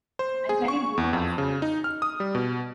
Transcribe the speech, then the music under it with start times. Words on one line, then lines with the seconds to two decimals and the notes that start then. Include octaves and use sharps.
I carried no passports.
0.19 C5
0.49 G#4
0.68 C#6
0.97 E2
1.13 F2
1.38 C#3
1.62 D#4
1.84 F6
2.02 D#6
2.20 G3
2.35 B2